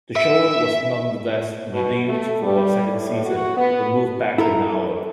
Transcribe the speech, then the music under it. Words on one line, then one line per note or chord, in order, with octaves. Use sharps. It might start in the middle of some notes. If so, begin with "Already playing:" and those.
The show was nonetheless renewed for a second season, but moved back an hour.
E5
B2
A3
G3
A2
F#4
B3
E4 A4 A#4